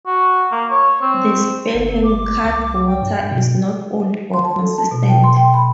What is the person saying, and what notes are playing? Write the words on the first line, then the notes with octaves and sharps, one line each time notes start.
The spelling 'Cattewater' is not old or consistent.
F#4
A#3
C#5
C4
G1
D6
C2
G5
G2
B2
C6
A5
A4
A5
B2
G5
C6
G5
B5